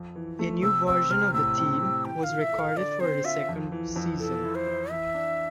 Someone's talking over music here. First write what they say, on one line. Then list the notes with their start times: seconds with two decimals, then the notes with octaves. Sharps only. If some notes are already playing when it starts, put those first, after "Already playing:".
A new version of the theme was recorded for the second season.
Already playing: F2
0.16 E3
0.39 A3
0.63 C3 E6
0.87 C4 E6
1.10 C3 F6
1.34 A2 E6
1.58 C4
1.82 G4
2.05 E3 G5
2.23 F5
2.29 F4
2.41 E5
2.53 A4
2.59 F5
2.77 D3 D5
3.00 C4 C5
3.25 F4 E5
3.49 F2
3.72 E3
3.96 F2
4.19 E3 A4
4.43 E4
4.55 C5
4.67 E3
4.91 E3 E5
5.14 D4